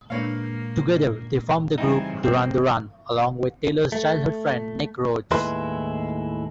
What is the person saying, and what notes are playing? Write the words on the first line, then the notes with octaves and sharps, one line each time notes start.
Together they formed the group Duran Duran, along with Taylor's childhood friend, Nick Rhodes.
A#2 G#3 A#3 D4 B4 C#5 F5
G2 C#3 E3 C4 D#4 E4 G5
A#3 C4
A3
D#2 A2 G#3 E4 B4 C6